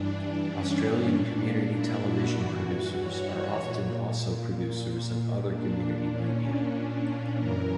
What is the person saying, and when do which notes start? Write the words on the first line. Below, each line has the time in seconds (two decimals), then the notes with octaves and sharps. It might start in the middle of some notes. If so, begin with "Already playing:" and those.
Australian Community Television producers are often also producers of other community media.
Already playing: G2 E3 D4
0.50 C#4
0.82 D4
1.13 A#2
1.75 E4
2.06 F#4
2.37 G2 E3
3.00 C#5
3.62 A#2
4.88 A#2
5.50 D4
6.12 A#2 C#4
6.43 D4
7.36 F#2 E3 A#4